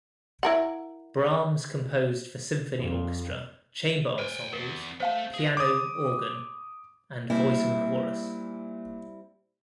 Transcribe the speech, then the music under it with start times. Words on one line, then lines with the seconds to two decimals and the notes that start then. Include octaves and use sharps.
Brahms composed for symphony orchestra, chamber ensembles, piano, organ, and voice and chorus.
0.43 E4 A#4 F#5
2.78 F2
4.19 B4 C5 G5 G#5
4.53 E2 A#4
5.00 A3 C5 F5 A5
5.34 G#4 D#5
5.57 D6 D#6
7.30 A#2 G3 C4 E4